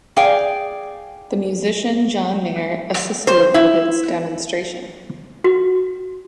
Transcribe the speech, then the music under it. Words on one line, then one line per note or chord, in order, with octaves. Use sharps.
The musician John Mayer assisted with its demonstration.
G#4 D5 F5 G5
C5
E4
F#4